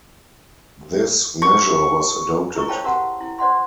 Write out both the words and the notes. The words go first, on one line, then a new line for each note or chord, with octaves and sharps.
This measure was adopted.
C#6
E4 G#4 A#4 D#5 C#6
C5 C#5 F5 G5 A5 B5
F#4 G4 A#4 F#5 A#5
E4
C5 D5 F#5 C6